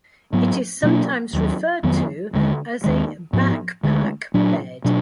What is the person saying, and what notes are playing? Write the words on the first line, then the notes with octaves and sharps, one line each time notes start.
It is sometimes referred to as a "backpack bed".
G#2 F#3 B3
B2 F#3 A#3 D4
D#2 D#3 F#3
F2 D#3 F#3 B3
D#2 D3 G#3
D#2 D#3 G#3
G#2 F3 B3
D2 D3 G#3
A#2 F#3 D4
B2 F#3 D4